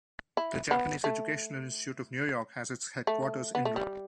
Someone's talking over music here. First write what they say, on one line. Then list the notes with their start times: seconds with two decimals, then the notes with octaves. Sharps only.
The Japanese Educational Institute of New York has its headquarters in Rye.
0.37 E4
0.71 B3
1.04 A3
3.07 A3
3.55 B3
3.65 A3
3.76 G3